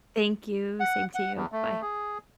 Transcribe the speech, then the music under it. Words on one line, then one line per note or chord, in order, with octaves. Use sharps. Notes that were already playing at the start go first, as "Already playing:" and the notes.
Thank you, same to you, bye.
F#5
F#5
E2
A3
G#4